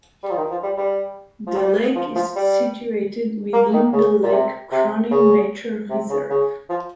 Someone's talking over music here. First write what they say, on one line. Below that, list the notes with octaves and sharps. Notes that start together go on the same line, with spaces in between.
The lake is situated within the Lake Cronin Nature Reserve.
G3
F3
D#3
F3
G3
G3
F3
G3
F3
F3
G3
A#3
D#3
C#3
A#2
C3
C3
C#3
C3
C#3
C#3
F3